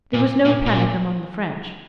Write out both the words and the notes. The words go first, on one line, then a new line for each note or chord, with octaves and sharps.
There was no panic among the French.
A#2
A#2
A#2